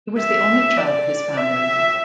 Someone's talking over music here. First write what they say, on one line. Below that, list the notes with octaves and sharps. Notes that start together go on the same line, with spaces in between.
He was the only child of his family.
E5
D5
E5